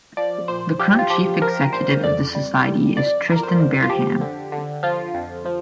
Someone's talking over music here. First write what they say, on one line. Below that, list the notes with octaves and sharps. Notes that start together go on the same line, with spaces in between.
The current chief executive of the society is Tristan Bareham.
F3 D5
A#2 C5
F3 G4
F4
F3 G4
F3 A#4
A#2 C5
F2 D5
G3
G3
F2 D5
F2 A#4
C5
F2
F4
F3 G4
D3
D3
F3 F4
F2
F3